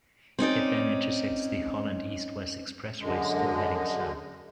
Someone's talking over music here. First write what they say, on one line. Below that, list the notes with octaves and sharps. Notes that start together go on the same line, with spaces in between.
It then intersects the Holland East-West Expressway, still heading south.
C4 C#4 D#4 D5
F#2 D3 G#3